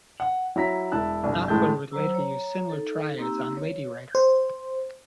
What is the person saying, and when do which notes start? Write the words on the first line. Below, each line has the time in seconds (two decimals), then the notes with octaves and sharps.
Knopfler would later use similar triads on "Lady Writer".
0.20 F#5
0.56 F#3 E4 A#5 B6
0.92 E1 E4 A5 E6 F#6
1.23 G1 C2
1.48 A1 A2 E3 G#3 A5 G6
1.91 F#3 C5 A#5 E6
2.15 C#5 A#5
2.70 D#4 A4
3.18 A#3 C4 D#4 G4 A#5 E6
3.57 C#5
4.15 C5